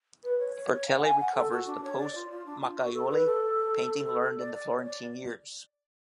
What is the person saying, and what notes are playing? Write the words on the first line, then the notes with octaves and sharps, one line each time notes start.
Bertelli recovers the post Macchiaioli painting learned in the Florentine years.
B4
C#5
C#5
C#5
F5
F#5
G#5
F#5
A4
F#4
D4
C#5
D5
F4
F4
D4
F4
F#4
A4
B4
A4
A4
A4
D5
D5
C#5
D5